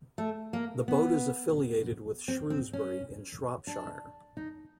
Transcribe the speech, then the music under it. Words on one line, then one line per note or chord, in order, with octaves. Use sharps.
The boat is affiliated with Shrewsbury in Shropshire.
A3
A#3
B3
C4
C4
C#4
D4
D#4